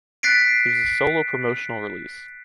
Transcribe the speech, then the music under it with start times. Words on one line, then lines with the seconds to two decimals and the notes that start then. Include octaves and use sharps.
It is a solo promotional release.
0.23 F#6 A6 B6 C7 D7